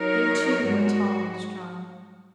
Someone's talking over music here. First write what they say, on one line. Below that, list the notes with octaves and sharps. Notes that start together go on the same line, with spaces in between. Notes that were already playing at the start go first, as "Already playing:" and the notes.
They, too, were tall and strong.
Already playing: F#3 D#4 A#4 C#5
G#2 G#3 F#4